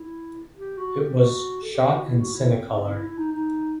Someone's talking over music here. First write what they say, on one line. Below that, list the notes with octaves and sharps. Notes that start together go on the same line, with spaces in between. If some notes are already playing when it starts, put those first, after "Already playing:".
It was shot in Cinecolor.
Already playing: E4
G4
F#4
G4
F#4
A4
G4
G4
F#4
E4
G4
F#4
E4
C4
E4
E4
D#4
D#4